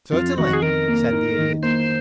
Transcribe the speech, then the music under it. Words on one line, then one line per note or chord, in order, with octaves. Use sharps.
"Certainly," said the Idiot.
F2 F4
D#3 F#4
G#4
D#3 A#4
A#3
D#4
D#3
A#3 C5